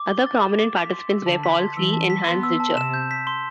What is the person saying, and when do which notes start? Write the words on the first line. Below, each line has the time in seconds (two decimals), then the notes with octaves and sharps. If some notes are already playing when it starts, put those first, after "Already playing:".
Other prominent participants were Paul Klee and Hans Richter.
Already playing: D6
0.09 G7
0.26 A6
0.43 E7
0.60 D6
0.76 B6
0.93 C6
1.10 E6
1.26 D3 A5
1.44 B6
1.60 C6
1.77 E3 E6
1.93 A5
2.10 B6
2.26 B3 C6
2.43 E6
2.60 A5
2.76 C3 E7
2.94 G6
3.11 B6
3.27 C6